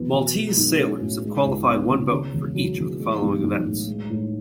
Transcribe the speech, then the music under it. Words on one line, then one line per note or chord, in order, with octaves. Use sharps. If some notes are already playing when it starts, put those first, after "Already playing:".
Maltese sailors have qualified one boat for each of the following events.
Already playing: E2 F#3 B3
B2
G#3
B1
C#4
A2
G#3
C#2
B3
C#3
C#3
E1
F#3
E2
G#3
B1
B1
A2
G#3
A2